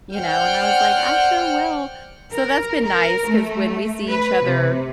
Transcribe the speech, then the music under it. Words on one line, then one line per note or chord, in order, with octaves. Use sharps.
you know? And, I was like, "I sure will." So, that's been nice 'cause when we see each other,
C5 D5 F#5 G5 F6 G6
A#4
A#4
A3
B4
C3